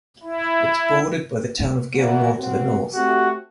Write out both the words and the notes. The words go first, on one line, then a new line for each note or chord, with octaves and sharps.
It is bordered by the town of Gilmore to the north.
E4
A#2 E3 F#4
D#2 C4 F#4
A3 C4 F#4 G4